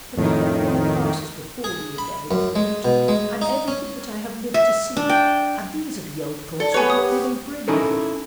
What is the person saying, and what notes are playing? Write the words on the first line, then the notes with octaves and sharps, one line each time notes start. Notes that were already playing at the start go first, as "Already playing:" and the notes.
But the whole now passes before me again in thought, and everything that I have lived to see; and these are the old thoughts, with what they may bring with them.
F2 A2 D#3
G#4
B5
F#2
G#3
B2
G#3
D#4
C#4
E5
D4
G5
A4 D5
B3 G4 B4 C#5 G#5
G4 D#6
C#4 D#4 E4 A4 A#4